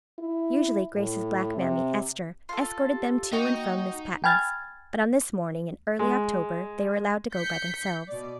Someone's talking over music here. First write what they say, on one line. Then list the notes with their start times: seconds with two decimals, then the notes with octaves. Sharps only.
Usually Grace's black mammy, Esther, escorted them to and from Miss Patten's, but on this morning in early October they were allowed to go by themselves.
0.19 E4
0.94 A2
1.57 C3
2.49 F4 A4
2.90 G4
3.33 A#3 D#4 F#4 G5
4.24 G5 G#5 B5 F6 G#6 A6
5.99 G#3
7.33 G6 B6 C#7
8.07 B2 D5